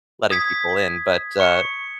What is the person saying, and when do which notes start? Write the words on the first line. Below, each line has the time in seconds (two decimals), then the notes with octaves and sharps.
letting people in, but, uh,
0.31 D#6 G#6 B6
1.40 C#6 C#7